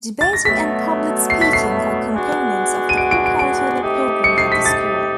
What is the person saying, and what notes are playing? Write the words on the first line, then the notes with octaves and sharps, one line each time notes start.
Debating and Public Speaking are components of the co-curricular program at the school.
A6
A#6
B2 F#3 A3 B6
C7
B6
C7
G#3 B3 D4 F#4
D#7
D7
D7
D7
D7
A3 C4 D#4 G4
C#7
C7
B6
A6